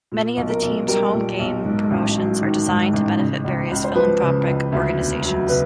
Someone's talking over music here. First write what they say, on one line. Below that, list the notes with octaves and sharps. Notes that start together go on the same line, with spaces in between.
Many of the team's home game promotions are designed to benefit various philanthropic organizations.
A#2
B1
A#4
B1
G3 A#4
A#2
B1
G#2
A1
F#3
D#3
G#2
A1
C#3
C#2
C#2
C5
F3 B4
C#3
C#2
D2
E1
F#3
C#3 B4